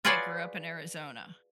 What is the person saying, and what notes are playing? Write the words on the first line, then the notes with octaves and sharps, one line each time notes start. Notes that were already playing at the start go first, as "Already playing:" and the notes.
I grew up in Arizona.
F4 F#4 G#4 B4 C#5 D5